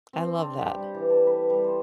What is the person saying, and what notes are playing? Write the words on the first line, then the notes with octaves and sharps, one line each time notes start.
I love that.
C4
D4
G4
G3
E3
A4
B4
G3
C5